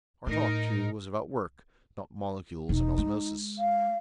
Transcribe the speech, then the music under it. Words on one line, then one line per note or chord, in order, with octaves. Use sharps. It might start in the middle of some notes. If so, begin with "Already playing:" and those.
Our talk, too, was about work, not molecules and osmosis.
A2 D#4 A#4
E1 D#4
G#3
F5